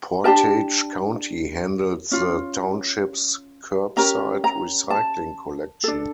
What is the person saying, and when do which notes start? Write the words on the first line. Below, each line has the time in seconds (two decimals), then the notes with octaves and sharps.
Portage County handles the townships's curbside recycling collection.
0.24 D4 G4 A#4 A5
2.11 C#4 F4
3.97 C#4 G4 A#4 A#5
4.44 A#5
4.90 A5
5.84 D4 A4